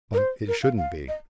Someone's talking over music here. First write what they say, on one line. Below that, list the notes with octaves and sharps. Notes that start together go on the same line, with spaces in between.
But it shouldn't be.
A#4
C5
A#4
F5
F5
D#5